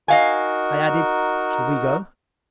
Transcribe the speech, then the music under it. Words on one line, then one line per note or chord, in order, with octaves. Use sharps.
I added, "Shall we go?"
D#4 F#4 A#4 D#5 F5 G#5